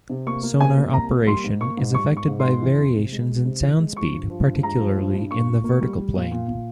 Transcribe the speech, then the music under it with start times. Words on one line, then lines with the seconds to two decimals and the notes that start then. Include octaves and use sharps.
Sonar operation is affected by variations in sound speed, particularly in the vertical plane.
0.10 C3
0.27 A#3 C#6
0.43 A#3
0.60 C3 G#5
0.77 A#3
0.93 C2 A#5
1.10 A#3
1.27 G3 C6
1.44 G#2
1.61 A#3 C#6
1.77 G#2
1.94 G3 C#6
2.12 G#2
2.17 C#6
2.28 G#2
2.40 C6
2.45 G#2
2.62 E3
2.78 F2
2.95 C3
3.12 G#3
3.29 G#3
3.46 C3
3.63 E3
3.79 G#3
3.96 F3 C#6
4.13 G2
4.30 F3
4.47 G2
4.63 G#3 A#5
4.80 F3
4.97 G2
5.14 G2
5.31 A#2 C#6
5.47 A#2
5.64 A#3
5.81 G3
5.98 G3
6.15 A#2
6.32 A#2
6.48 A#2